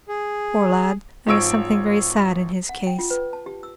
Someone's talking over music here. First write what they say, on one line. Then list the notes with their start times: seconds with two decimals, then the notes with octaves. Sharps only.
Poor lad, there is something very sad in his case.
0.09 G#4
1.27 G#1 F3 C#5 E6 D7
2.69 F#5
2.87 G5
2.99 F4
3.11 B4
3.33 A5
3.46 G4
3.63 E6